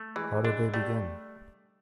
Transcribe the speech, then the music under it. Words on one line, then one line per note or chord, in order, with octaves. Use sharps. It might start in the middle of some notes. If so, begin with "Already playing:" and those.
How did they begin?
Already playing: A3
E3 G#3
G#3 D4
G3 A3